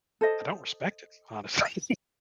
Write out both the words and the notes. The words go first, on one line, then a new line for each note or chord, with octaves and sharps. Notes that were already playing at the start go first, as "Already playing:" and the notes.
I don't respect it, honestly,
A4 C5 D#5